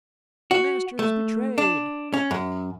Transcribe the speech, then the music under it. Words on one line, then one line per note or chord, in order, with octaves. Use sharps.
"The Master is betrayed!"
F#4
A3
D4
C#4
F#2